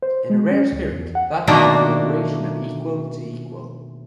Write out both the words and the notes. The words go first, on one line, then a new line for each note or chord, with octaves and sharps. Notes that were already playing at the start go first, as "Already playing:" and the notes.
In a rare spirit, that of a collaboration of equal to equal.
C5
G#3
C#4
C#2
E2
F#5
B2 D#3 A3 A#3 D4 F#4